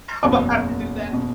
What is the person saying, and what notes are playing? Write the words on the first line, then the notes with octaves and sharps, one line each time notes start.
imma have to do that.
F#1 E2 B2
B2